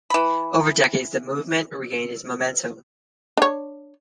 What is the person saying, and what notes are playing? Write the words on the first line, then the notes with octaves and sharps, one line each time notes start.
Over decades, the movement regained its momentum.
E3 B5
D4 C#5